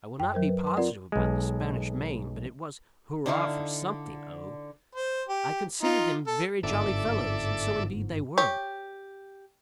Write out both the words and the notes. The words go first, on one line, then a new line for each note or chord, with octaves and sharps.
I will not be positive about "the Spanish Main," but it was hurrah for something O. I considered them very jolly fellows, and so indeed they were.
F#2 G5
F#3 A#4 C5
B4
B4 A5 C6
C4 F4 A#4 D5 F#5
B1 G#3
D3 D#4 E4 F5
C5
G4
D#4 F4
A4
G1 G#2 A4 D5 E5
G4 C#5